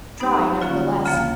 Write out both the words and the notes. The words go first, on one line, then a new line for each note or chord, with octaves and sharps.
"Try, nevertheless."
G#3 B3 D#4 G4
D3 F3 A#3 C#4 F4
D2 C#3 F3 A#3